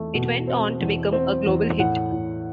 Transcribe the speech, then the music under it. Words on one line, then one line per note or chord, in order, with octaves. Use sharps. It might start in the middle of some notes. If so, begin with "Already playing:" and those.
It went on to become a global hit.
Already playing: E2 A3
B2
C4
E2
C4
E2
A2 F#5
A2